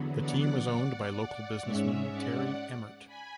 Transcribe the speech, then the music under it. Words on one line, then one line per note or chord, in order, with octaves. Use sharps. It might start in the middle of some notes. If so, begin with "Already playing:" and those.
The team was owned by local businessman Terry Emmert.
Already playing: E2 D3 F#3 B3
D5 F#5
G#2 G#3 C#4 C#5 E5
D5 F#5
G#5 B5